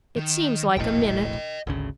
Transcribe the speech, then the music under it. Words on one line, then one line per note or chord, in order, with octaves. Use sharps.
It seems like a minute.
D#3
E1 A#1 A2 D#5 G5
G#1 D2 C#3